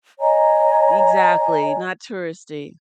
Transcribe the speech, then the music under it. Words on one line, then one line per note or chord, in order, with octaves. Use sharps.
Exactly, not touristy.
C#5 D#5 G#5 A#5